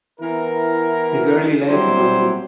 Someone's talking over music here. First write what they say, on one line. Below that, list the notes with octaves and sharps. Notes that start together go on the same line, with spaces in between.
Her early life is unknown.
E3 B3 E4 A#4
F#3 G3 C4 E4 G4 C5